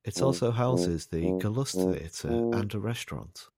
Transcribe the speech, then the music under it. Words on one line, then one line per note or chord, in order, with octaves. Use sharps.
It also houses the "Gallustheater" and a restaurant.
F2
F2
F#2
F#2
A#2